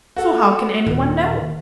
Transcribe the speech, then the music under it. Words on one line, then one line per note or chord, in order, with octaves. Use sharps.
So how can any one know?
F#4 A4
D#2 A#2 D#3